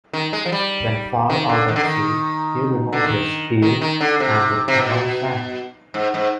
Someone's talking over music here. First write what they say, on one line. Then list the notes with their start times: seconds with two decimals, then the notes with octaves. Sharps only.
When far out at sea, he removed his heel, and the canoe sank.
0.13 D#3
0.33 G#3
0.46 F3
0.52 G3
1.30 D#3
1.49 D3
1.68 D#3
1.76 D3
1.83 D#3
2.93 D3
3.04 D#3
3.62 D#3
3.82 D#3
4.01 D3
4.20 C3
4.68 C3
4.78 B2
5.94 G#2
6.14 G#2